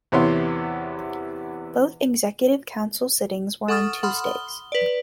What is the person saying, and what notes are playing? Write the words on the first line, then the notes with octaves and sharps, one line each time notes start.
Both Executive Council sittings were on Tuesdays.
E2 C3 B3 E4 C#5 C6
A4 F#5 C#6 D#6 F6 A6
F#5 B5 C6 D#6 F6
G7
B4 D5